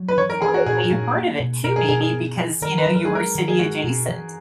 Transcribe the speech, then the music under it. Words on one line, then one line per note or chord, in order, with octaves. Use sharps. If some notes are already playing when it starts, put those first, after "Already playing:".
probably why you heard of it too maybe because, you know, you were city adjacent.
Already playing: F#3
B4
E3 C#5
A#4
E3 G#4
F#4
A#2 G#4
A#2
A#3
B2
B2 A#4
G#4
B2 G#4
G#4
B3
E3
D#3 A#4
B4
F#3
A#4
G#4
G#3 A#4
D#3
G#4
G#3 F#4
B2
E3